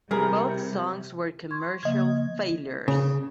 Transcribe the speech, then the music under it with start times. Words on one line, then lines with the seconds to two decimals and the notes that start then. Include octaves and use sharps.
Both songs were commercial failures.
0.11 C3 E3 G3 G#4 A#4
1.51 C6 C#6 G#6
1.83 C#3 F3 A#3 D#5 G#6
2.88 C#3